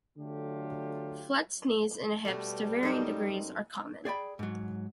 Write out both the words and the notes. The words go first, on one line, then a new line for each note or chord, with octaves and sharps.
Flexed knees and hips to varying degrees are common.
D3 F#3 A3 F4 G4
B2 G3 A3
F#2 C4 D#4 C5
G#4 D5 G5 B5
G#2 F#3